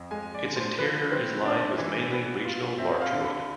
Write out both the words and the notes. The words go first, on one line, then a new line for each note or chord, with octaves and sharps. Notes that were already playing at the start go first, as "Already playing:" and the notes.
Its interior is lined with mainly regional larch wood.
Already playing: F2
G#3 G#5
D5
D3
C5
F3 B4
C4 B4
D4 D5
E3
B3
F4
C4 E5
F5
D3
B5